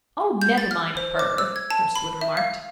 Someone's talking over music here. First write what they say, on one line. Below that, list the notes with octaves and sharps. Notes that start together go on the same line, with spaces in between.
"Oh, never mind her," Hurstwood remarked.
G6
A6
F6
C5
D6
E6
G#6
A5
B5
E5
F5